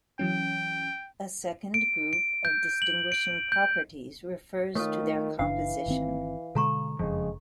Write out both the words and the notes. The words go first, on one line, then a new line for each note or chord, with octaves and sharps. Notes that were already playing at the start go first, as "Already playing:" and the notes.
A second group of distinguishing properties refers to their "composition".
E3 F#3 C#4 G5
D7
D7
G6
F#7
D7
G6
D#3 A3 F4 C#5 D#6
F#1 C#3 E3 D4 F5
G1 D#3 C4
B2 D3 G#3 A4 A#5 C#6
F#1 F2 C#3 G#3